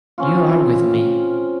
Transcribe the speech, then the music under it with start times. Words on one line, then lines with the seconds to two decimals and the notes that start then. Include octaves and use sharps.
You are with me.
0.18 C4 C#4 F4